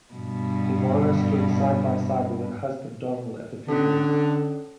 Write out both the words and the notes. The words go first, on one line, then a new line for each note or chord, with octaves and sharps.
Ivana stood side-by-side with her husband Donald at the funeral.
G2 B2
D3 C#4 A4